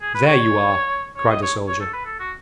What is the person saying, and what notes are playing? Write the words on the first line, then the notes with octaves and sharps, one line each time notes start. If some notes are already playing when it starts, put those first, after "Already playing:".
There you are!' cried the Soldier.
G#4
B4
C#5
C#5
D#5
C#5
C#5
A4
B4
A4
F#4